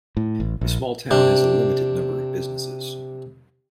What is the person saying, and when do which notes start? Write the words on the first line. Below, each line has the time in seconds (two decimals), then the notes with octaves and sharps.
The small town has a limited number of businesses.
0.17 A2
0.40 A1
0.61 A#1
1.11 C3 D4